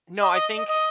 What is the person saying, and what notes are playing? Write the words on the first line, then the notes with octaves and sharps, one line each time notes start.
no, I think
D#5
D#5
D#5
D#5